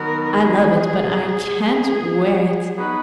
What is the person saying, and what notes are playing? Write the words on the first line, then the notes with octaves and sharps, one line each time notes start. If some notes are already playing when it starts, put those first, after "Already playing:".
I love it, but I can't wear it.
Already playing: D#3 F#3 B3 A#4
G#4
F#3 B3 D#4 F#4 B4